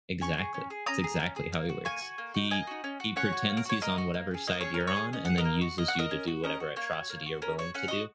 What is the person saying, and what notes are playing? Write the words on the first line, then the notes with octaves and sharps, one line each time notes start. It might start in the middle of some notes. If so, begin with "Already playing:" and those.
Exactly, it's exactly how he works, he he pretends he's on whatever side you're on and then uses you to do whatever atrocity you're willing to do
C#4 G#5 C#6
G#4
C#4
G#4
C#4 A#5 D#6
G#4
C#4
G#4
A#3
F#4
A#3 G#5 C#6
F#4
A#3
D#4 F#4
A#3 D#5 G#5
D#4 F#4
C#4
F#4
C#4 C#5 F#5
F#4
A#3
A#4
F#4 C#5
A#3 A#4 D#5
F#4
A#3
C#4 G#4
A#3 D#5
C#4 G#4 C#5
A#4
C#4
C#5
G#4
C#4 D#5
G#4 F#5
A#4 D#5
A#3
F#4
A#3 D#5
F#5
F#4
A#4 D#5
C#4
F#4
C#4 A#4 D#5
F#4
A#3 C#5
F#4
A#3
F#4
C#4 A#4
F#4 C#5
C#4 F#5
F#4 D#5